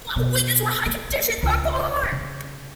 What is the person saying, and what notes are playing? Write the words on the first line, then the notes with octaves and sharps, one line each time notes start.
While wages were high conditions were poor.
B2
A#3
C#2
C#3